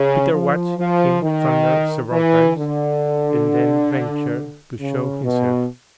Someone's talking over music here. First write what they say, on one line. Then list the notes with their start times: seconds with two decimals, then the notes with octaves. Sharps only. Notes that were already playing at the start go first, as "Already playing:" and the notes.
Peter watched him thunder several times and then ventured to show himself.
Already playing: C#3
0.33 F3
0.78 F3
1.23 D#3
2.12 E3
2.57 D3
4.80 C#3
5.25 B2